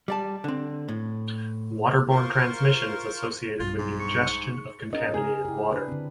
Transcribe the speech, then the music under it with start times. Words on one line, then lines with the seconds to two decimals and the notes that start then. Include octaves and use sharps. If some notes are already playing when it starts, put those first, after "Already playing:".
Water-borne transmission is associated with the ingestion of contaminated water.
0.08 G3 D5 A5
0.44 D3 C4
0.89 A2
2.10 F4 A#4 C5 C6 C#6
3.60 B1 G2 F4
3.79 G#2
4.00 C#6
4.20 G#2
4.93 C#4 D#4 G#4 A#4
5.14 C#3 G#4 A#4
5.45 E4 G4
5.71 D4 B4
5.88 D3 C4